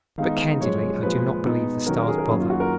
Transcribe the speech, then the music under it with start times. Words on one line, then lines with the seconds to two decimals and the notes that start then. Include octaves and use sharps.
But, candidly, I do not believe the stars bother.
0.18 D#3 G#3 B3 D#4 F5
0.60 F#2 F3 G#3 C#5
1.02 A#2 F3 G#3 B4
1.44 B2 G#3 B3 D#4
1.86 D#3 F#3 C#4 A#4
1.98 A#4
2.08 G#4
2.18 A#4
2.28 F#2 D#3 F#3 A#3 C#4 G#4
2.40 F4
2.50 F#4
2.60 A#4